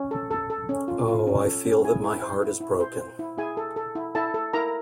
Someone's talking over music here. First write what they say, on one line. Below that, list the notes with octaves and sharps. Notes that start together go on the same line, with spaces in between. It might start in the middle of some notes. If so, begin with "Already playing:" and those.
Oh, I feel that my heart is broken.
Already playing: C#4
A4
A4
A4
C#4
F4
F4
C#4
A4
C#4
E4 G#4 G#5
E4
C5
E4
E4
C5
C5
E4
E4 G#4 G#5
A4
A4
E4
E4 A4 A5
A4
E4 A#4 A#5